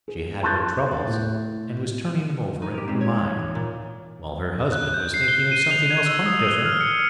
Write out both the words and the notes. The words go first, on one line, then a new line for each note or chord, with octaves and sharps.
She had her troubles, and was turning them over in her mind, while her husband was thinking of something else quite different.
G#4
A5 C6 C#6 F#6 G6 A6
A2
D#4
G4 A#4
G3 G#3 C4
C#5
E3
A#2
F#6
G6
C7
G7
D#7
F7
G#6
E6
D#6
G7
F6
C#7